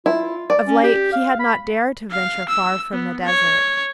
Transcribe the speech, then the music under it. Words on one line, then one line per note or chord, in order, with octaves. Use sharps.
Of late he had not dared to venture far from the desert.
E4 F4
D5
C#4
G4
F5
B5
F5
E6
B3
C#5